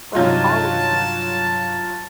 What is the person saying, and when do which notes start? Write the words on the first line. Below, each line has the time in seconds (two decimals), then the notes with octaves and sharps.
But I always loved you...
0.15 G2 C3 F#3 D#4 F4 A5